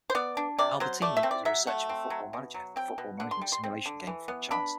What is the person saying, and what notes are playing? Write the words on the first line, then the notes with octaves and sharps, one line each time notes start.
Albertini is a researcher for Football Manager, the football management simulation game franchise.
C5
B3 D5
D4
C3 D5
F#3 C5
A3 D5
E5
C4
D5
F#3 E5
A3 F#5
C4
F#3
B2
F#3
C4 G5
B2
D3 F#5
C6
G3
C6
C4
D3
E3
B3
D4 B5